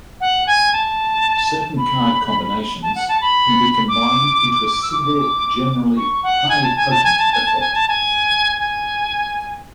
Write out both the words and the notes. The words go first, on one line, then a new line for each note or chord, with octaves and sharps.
Certain card combinations can be combined into a single, generally highly potent effect.
F#5
G#5
A5
B5
A5
F#5
A5
B5
D6
E6
D6
C#6
F#5
G#5
A5
G#5
A5
G#5
A5
G#5
A5
G#5
A5
G#5
G#5